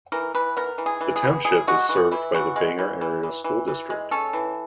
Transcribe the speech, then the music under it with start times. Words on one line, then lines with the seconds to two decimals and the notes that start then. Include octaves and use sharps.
The township is served by the Bangor Area School District.
0.12 E3 A#4
0.35 E3 B4
0.57 B3 A#4
0.78 E3
0.86 G#4
1.01 E3
1.16 G#4
1.23 B3
1.45 E3 G#4
1.67 G#3 F#4
1.89 E3 F#4
2.11 E3 E4
2.34 E3 F#4
2.56 G#3
2.78 E3
3.01 E3
3.23 E3
3.44 E3
3.68 E3
3.90 G#3
4.11 C#4 A4
4.33 E3